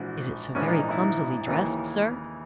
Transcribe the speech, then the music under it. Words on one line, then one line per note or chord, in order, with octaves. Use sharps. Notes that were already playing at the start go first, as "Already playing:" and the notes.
"Is it so very clumsily dressed, sir?"
Already playing: A#1 G#2 E3 F#4
A#1 G#2 E3 C#4
D#4
D#4
E4
D#4
D#2 C#3 E3 D#4